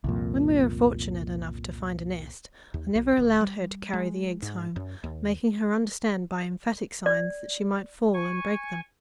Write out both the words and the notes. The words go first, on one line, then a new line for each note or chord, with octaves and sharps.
When we were fortunate enough to find a nest I never allowed her to carry the eggs home, making her understand by emphatic signs that she might fall and break them.
C2 F2 A#2
D#2
B1
D1
G3
G#3
G#2
F#2
D#2
D5
G#5 C#6